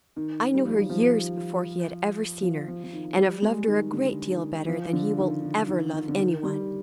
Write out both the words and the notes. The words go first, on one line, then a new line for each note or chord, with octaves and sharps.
I knew her years before he had ever seen her, and have loved her a great deal better than he will ever love any one.
D#3
G3
F3
D#3
F3
F3
F3
F3
D#3
G3
G#3
D#3
D3
D#3
F3
D3
D#3
D#3
D#3
D#3
D3
D#3
G3